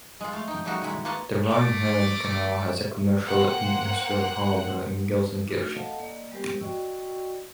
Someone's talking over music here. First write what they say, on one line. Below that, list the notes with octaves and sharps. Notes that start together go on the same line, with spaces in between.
The Rhine-Herne Canal has a commercial-industrial harbour in Gelsenkirchen.
G#3 F4
A3 F5
D#4 G5
C#3 G3 A3 D#4 F#4 A#4
D#3 G#3 E4
A#3 F4 B4 C#5 D#5 A5
A3 D6
A#3 C5 F#5 G5 F#6
A3 D4 D#4 F#4
A4 D#5 F5 F#5 A5
A#3 D5 D#5
G3 G#3 B3 G4 A#4 C5
F#4 D5 D#5 G5 C#6 E6